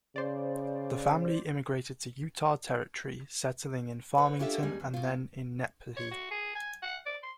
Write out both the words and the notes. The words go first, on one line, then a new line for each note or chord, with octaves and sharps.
The family immigrated to Utah Territory, settling in Farmington and then in Nephi.
C#3 C5 D5
B4 C#5
C#4 D4 F4 G4 A4 E5
D#2 G3 G#3 C#4 G#4
E2
B2 F4
C#5
F#4
G#4
G#5
F#5
D5
C6